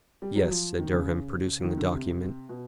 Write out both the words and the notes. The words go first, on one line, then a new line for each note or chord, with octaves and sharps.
"Yes," said Durham, producing the document.
G3
F#3
F3
D#3
C#3
D#3
D3
C3
B2